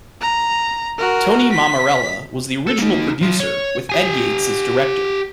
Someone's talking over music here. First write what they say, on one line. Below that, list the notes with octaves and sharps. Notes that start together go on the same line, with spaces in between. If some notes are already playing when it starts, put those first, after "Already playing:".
Tony Mammarella was the original producer with Ed Yates as director.
A#5
F#4 A#4
B6
A4
A#3 D#4
F#3 C6
C#5
G4 G#5